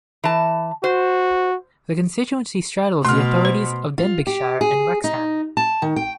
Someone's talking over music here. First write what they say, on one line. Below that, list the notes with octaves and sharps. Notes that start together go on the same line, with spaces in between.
The constituency straddles the authorities of Denbighshire and Wrexham.
E3 A5
F#4 C5
B2 A3 C6 F6
C5
F4
G4
G#4
D#4
A5
D#3
G5